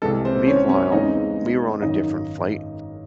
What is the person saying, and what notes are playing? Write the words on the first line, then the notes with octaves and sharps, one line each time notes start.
Meanwhile, we were on a different flight.
C2 C3 E3 G#3 A4
C4 C5
C#4 C#5
C#4 C#5
E2 C#3 G#3 C4 D#4 D#5
G#1 F#2 D#3 D#4 D#5